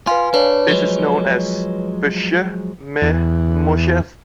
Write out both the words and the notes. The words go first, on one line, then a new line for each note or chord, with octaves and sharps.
This is known as beschuit met muisjes.
F4 B4 F5 G#5
D4 B4 C#5
F3 F#3 G#3
E2